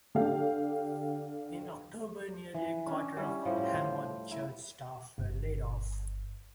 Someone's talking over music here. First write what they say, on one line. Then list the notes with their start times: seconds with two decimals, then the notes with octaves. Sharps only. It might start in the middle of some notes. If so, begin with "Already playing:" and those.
In October, nearly a quarter of the Hammond church staff were laid off.
0.15 D3 G4 F5 G5
2.54 E3
2.86 C#4 D4
3.17 G3 C#4 E4
3.45 A2 F3 G3
3.63 C5 G5
4.31 E4
5.18 G1